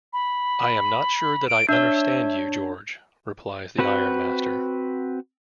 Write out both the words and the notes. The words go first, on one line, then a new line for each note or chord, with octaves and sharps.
"I am not sure that I understand you, George," replies the ironmaster.
B5
D7
D4 C#5 E5
C4 F#4 B4 F#5